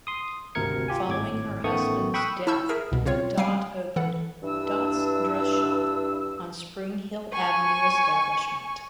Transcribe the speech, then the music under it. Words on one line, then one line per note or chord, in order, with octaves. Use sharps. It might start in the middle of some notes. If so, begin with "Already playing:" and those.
Following her husband's death, Dot opened "Dot's Dress Shoppe" on Springhill Avenue establishment.
C6 D#6
G#1 D2 C3 A#4 G#6 C#7
F4 G4 G#5
G#1 A2 D6 G#6
A1 D#3 A3 B3 C#6 D#6
G5 B5 C#6 D#6 E6 F#6
E4 A5 C#6 E6 G6
G#4 A#4 E5
C2 B2
C#3 C4 F4 C#5
G3 F5 G#5 C7 D7
E3 A4 F#5
G2 E3 D4 E6
G#5 C#6